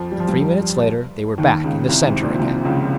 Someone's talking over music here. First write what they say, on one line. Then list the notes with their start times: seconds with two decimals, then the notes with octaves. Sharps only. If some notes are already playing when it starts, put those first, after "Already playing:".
And three minutes later they were back in the centre again.
Already playing: F2 F3
0.12 G3
0.20 F3
0.28 G2 G3
1.38 D#2 D#3
1.64 C#2 C#3
1.89 C2 C3
2.06 G#1 G#2
2.22 A#1 A#2
2.39 C2 C3
2.65 C#2 C#3